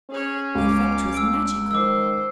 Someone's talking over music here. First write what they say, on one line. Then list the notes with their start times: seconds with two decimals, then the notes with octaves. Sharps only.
The effect was magical.
0.10 C#4 G#4 C#5
0.55 C#2 F4 D6
1.14 E6 D7
1.71 D#3 C5 D6 E6